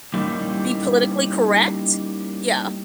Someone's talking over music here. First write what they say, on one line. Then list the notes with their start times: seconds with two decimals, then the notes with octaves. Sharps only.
Be politically correct? Yeah.
0.14 G3 A#3 C#4 D#4 E4 G4